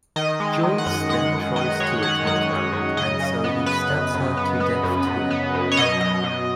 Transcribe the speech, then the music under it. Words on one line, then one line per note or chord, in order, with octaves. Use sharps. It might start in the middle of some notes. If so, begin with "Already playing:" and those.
Joyce then tries to attack Harold and so he stabs her to death too.
D#3 D#5
G#3
D#3
F#5
F#2 D#5
G#3 F#5
F#2
D#3 D#5
G#3 C#5
D#3 F#5
F#2 F#5
F#2
F#2
C#3 D#5
C#3
B3
B3 B4
F#2
F#2
B3
B3
F#2
F#2
B3
F#2
C#5
B2 D#5
B2
B2